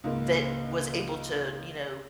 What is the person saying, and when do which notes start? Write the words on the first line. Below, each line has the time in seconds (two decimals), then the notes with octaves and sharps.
that was able to, you know,
0.04 C#2 G#2 A#3